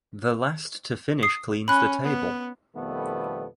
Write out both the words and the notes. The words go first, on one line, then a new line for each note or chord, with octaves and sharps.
The last to finish cleans the table.
D#6 C7
C#4 B5 F#6
B3
F2 B2 D#3 G3 A3 B3